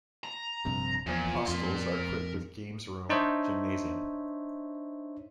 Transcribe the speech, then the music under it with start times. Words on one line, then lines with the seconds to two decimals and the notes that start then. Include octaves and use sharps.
Hostels are equipped with game's room, gymnasium.
0.24 A#5
0.65 A#1 G2 C3
1.06 E2 A#2 F3
1.48 F2 A#4 C6
3.09 D4 D#4 C5 C#5 E5